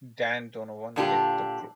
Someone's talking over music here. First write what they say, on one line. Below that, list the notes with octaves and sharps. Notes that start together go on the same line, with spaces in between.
Dan Donovan left the group.
A#2 D3 D4 F4 G4